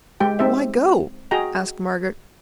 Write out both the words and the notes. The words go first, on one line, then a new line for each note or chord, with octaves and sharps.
"Why go?" asked Margaret.
G#3 G4 G5
C4 D#4 G4 C5 E5
F#4 G#4 D#5 G5 A#5